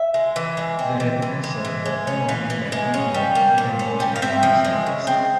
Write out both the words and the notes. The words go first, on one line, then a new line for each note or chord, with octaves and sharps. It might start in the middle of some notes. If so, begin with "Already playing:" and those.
The rim is circular and only lightly worn, with a notch along the southeast.
Already playing: E5
G#3
E3
G#3
C4
E3
E3
G#3
E3
G#3
C#4
E3 F5
E3
G#3
C#4
G3
A#3
A#2
C#4
G3
F5
C4 E5
F3
G#3
C#3
C4